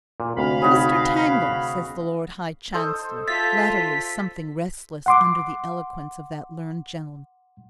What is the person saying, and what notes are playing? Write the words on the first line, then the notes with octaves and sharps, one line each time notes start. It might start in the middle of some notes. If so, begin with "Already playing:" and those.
"Mr. Tangle," says the Lord High Chancellor, latterly something restless under the eloquence of that learned gentleman.
A#2
D2 C3 F5 B5
C3 D#4 F#4 G#4 C#5
A4 C5 D#5
F4 A4 E5 A6 B6
F#5 C6 D6